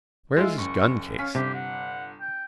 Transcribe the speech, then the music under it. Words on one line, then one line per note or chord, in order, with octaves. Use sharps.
Where is his guncase?
G#3 E4 F4 E5
F#1 C#6
C#4 F5 B6
G1 C3 G4
F#5
G5